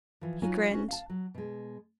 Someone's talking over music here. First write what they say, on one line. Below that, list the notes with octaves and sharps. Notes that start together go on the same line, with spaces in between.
He grinned.
E3 F3
F#3 D#4 F4 B4 G#5
C#4 F#4
F5 A5
F#3
B2 G#3